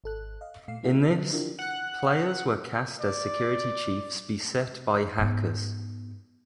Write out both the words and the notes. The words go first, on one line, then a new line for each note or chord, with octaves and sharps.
In this, players were cast as security chiefs beset by hackers.
G#1 A4 F#6
D#5 F5
A#2 A3 F5 C7
A3 E4 G#4 E5 F#5
D3 F#3
D4 E4 F4 G4 A#4
F#5 F#6
D5
G#2 B3